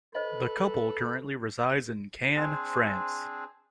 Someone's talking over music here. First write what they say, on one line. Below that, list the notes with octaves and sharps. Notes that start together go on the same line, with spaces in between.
The couple currently resides in Cannes, France.
A4 B4 C5 D#5
C4 D4 G#4 C5